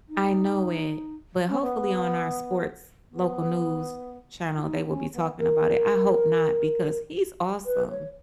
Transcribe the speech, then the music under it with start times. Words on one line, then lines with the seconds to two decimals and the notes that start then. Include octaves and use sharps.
I know it. But hopefully on our sports local news channel, they will be talking about it. I hope not because he's awesome.
0.09 D#4
1.48 C#4
1.61 B3
3.11 B3
4.57 E4
4.62 D#4
4.82 B3
4.88 C#4
5.13 B3
5.38 A#4
7.65 B4
7.87 B4
7.90 C#5